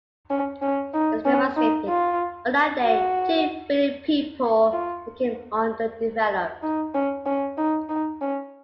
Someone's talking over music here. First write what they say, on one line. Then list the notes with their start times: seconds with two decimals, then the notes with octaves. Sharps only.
Esteva stated: On that day two billion people became underdeveloped.
0.30 C#4
0.62 C#4
0.94 D#4
1.25 C#4
1.56 D#4
1.88 F4
2.83 F#4
4.73 F4
6.63 D#4
6.94 C#4
7.26 C#4
7.57 D#4
7.89 D#4
8.21 C#4